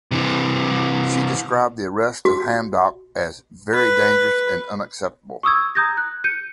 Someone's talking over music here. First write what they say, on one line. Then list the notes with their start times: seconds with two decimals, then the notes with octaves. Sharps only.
She described the arrest of Hamdok as "very dangerous and unacceptable".
0.11 C3 E3
2.25 F#4
3.74 B4
5.43 C#6 D#6 E6 G#6
5.75 A#5 D#6 G6 G#6 A#6
5.97 F#6
6.24 G6 C#7 D#7